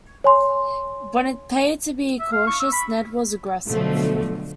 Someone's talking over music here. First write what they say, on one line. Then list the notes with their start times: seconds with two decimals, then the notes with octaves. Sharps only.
When it paid to be cautious, Ned was aggressive.
0.24 C#5 G#5 C6
2.20 E5
2.32 F5
2.47 C#6
2.60 E6
2.73 B5
3.67 B2 D3 F3 F#3 A3